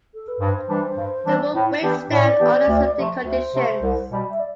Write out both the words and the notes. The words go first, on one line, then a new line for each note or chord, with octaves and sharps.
The rule breaks down under certain conditions.
A4
B4
G2 C5
E3 G3 D4
G2
E3 G3 D4
A2
E3 B3 D4 G4
A2 D5
E3 B3 D4 G4
D2
C3 F3 A3
D2 C5
C3 F3 A3
C2
B2 G3
E5
D5